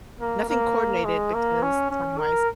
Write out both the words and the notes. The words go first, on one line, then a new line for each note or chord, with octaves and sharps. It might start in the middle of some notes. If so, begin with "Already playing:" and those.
nothing coordinated because timewise
A#3
A#3
G#3
A#3
C#4
C#4
A#4